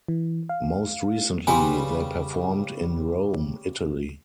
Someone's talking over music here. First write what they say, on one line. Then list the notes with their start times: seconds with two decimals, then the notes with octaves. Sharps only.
Most recently, they performed in Rome, Italy.
0.08 E3
0.49 F5
1.47 C#3 G3 B4 G#5 C6